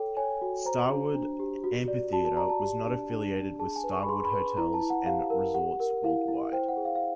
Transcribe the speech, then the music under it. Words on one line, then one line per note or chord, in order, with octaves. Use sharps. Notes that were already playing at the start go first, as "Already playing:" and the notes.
Starwood Amphitheatre was not affiliated with Starwood Hotels and Resorts Worldwide.
Already playing: A4 C#5 G5
C#5 G#5
F#4
C5 A#5
D4
D4
G4
F#4
D5
F#4 A5
A5
D5 A#5
A5
G4
D4
D4
D4
G#4 A5
G#5
B4
C#6
B5
G#4 C6
B5
B4
E4 A#5
A5
E4
F#5
G4 F5
A#4
G4 F#5
A#4
E4 F5
E4
C5 G5
F#5
G#4
F5
F5